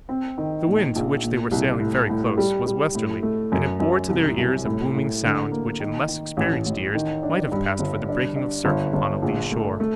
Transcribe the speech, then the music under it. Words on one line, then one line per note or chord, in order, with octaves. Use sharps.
The wind, to which they were sailing very close, was westerly, and it bore to their ears a booming sound which in less experienced ears might have passed for the breaking of surf upon a lee shore.
C4
D#3
A#2
A#1
A#2
C2
A2
A2
G3
G3
A2
A3
F#2
F#2
C2
C2
A2
A2
D3
A#3
D#3
D#3
A1
A1
D#3
D4
G2
G1
D4
D4
G1
G1
A#1
A3
A3